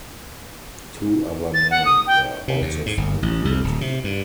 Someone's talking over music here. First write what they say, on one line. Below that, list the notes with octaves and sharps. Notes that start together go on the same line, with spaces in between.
Two other men were also found guilty.
A6
F#5
D#6
G5
C3
D#2
G#2
G1
A1
C2
D1
C3
G2